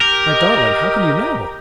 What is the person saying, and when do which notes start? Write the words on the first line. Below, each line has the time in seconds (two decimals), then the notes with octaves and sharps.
"My darling, how can you know?"
0.01 G4 A#4
0.29 D#5